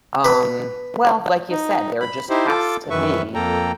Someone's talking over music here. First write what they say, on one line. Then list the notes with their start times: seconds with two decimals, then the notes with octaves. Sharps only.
um well, like you said, there just has to be,
0.25 B4
1.50 D#4
2.01 B5
2.29 D#4 E4 G4 C5
2.48 F4 A4 D6
2.90 F#2 D#3 E3 B4 E5 C#6
3.35 F2 A#3 A4 G5 A#5